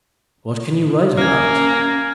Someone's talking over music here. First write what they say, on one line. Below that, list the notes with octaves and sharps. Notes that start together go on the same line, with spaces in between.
What can you write about?
A#3 C#4 F6 G#6